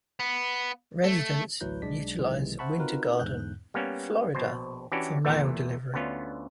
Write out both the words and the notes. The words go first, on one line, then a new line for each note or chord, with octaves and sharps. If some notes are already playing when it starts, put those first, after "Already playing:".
Residents utilize Winter Garden, Florida for mail delivery.
B3
A3
A1 D2 F#3 E4 B4 G6
B1 G#3 D4 D5 B6
B1 C3 D#3 E3 G#3
C5 E5 F#5 A5 B5 C#6
C4 D#4 F4 F#4 A#4 B4
E2 G#2 D3 F#6 G6
G3 A#3 B3 C#4
A#1 B2 C5
E3 C#4 D4 E4 F#4 G4
E2 A#2 E3 A3
D2 D3 B3 C#4 F4